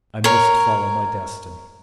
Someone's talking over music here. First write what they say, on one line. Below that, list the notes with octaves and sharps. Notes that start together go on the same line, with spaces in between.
I must follow my destiny.
A#4 C#5